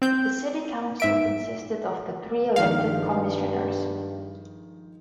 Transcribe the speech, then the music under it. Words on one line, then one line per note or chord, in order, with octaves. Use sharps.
The City Council consisted of the three elected Commissioners.
C4 G6
G#2 E5 D7
G2 D#3 F3 G#3 F5